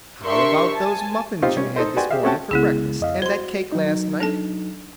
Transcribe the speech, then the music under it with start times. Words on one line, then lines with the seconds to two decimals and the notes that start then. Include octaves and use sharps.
How about those muffins you had this morning for breakfast, and that cake last night?
0.23 D4 G4 A#4 E5 C6 C#6
0.74 G#5 A5
1.42 C4 D#4 F4 G4 C5 F5
1.57 G3 C#4
1.76 D#4 A4 C5
1.96 F#4 B4 D5 G5 G#5 C6
2.10 G4 G#4 E5 F5
2.23 A3 C4 C#4 F#4 G5 A5
2.51 C2 C#3 G#3 B3 E4 G#4
3.00 F2 D#5 F5
3.22 F#4 C5 C6
3.72 F#3 D#4
4.20 D4 A4 A5